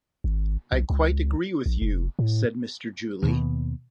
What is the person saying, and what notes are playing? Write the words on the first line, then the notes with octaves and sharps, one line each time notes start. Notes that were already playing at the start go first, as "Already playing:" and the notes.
"I quite agree with you," said Mr. Julie.
G#1
B1
C#2
A#1
F1
A2
D#2 B2